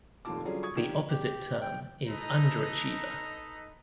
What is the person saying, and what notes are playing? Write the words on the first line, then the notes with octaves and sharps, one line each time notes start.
The opposite term is underachiever.
F1 D#2 A2 F4 A5 D6
D3 F#3 G3 C#4 F4 G#4
C#6 D#6 G#6
A#1 D#3 G4 E7
G4
G5
D#4 A4 B4 D#5 A#5